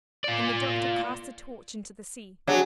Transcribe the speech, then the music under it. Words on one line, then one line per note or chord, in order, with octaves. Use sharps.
Then the doctor cast the torch into the sea.
F4 D5
F#3 D4 F#4 G#4